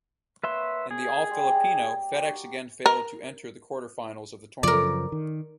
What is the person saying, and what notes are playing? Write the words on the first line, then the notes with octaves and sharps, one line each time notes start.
In the All-Filipino, FedEx again failed to enter the quarterfinals of the tournament.
A#3 B4 C#5 E5 F#5 C6
G#4
G3 G#3 G4
G4
F#4 G4 A#4
A#4
F#2 C#3 F3 A#4 D5
D#3